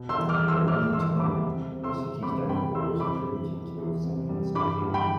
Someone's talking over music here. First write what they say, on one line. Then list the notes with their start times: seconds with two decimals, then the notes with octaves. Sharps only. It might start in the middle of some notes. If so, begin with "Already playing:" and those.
For a long time, the city's downfall was attributed to its second sacking.
Already playing: B2
0.09 C6 E6
0.16 E2
0.29 D6 F6
0.43 E2
0.48 C6 E6
0.67 E2 D6 F6
0.93 E2 C6 E6
1.19 G3 B5 D6
1.46 C3
1.72 C3
1.84 C6 E6
1.96 C3
2.22 C3 B5 D6
2.49 C3 G5 B5
2.74 A3 C6 E6
3.00 C3 B5 D6
3.26 E2
3.52 E2
3.78 E2
4.04 C3
4.29 G3
4.55 G2 B5 D6
4.82 G2
4.94 G5 B5